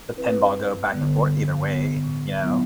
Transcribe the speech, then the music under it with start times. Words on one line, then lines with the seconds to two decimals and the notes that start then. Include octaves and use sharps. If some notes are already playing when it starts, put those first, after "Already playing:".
the pinball go back and forth either way, you know?
0.17 C4 E4 B4
0.55 G2
0.92 D3 G3 B3
1.29 G2
1.67 D3 G3 B3
2.04 A2
2.42 F#3 B3 E4